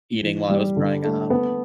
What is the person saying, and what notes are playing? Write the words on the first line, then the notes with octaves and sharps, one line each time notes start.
eating while I was growing up."
E3
G3
D3
A3
B3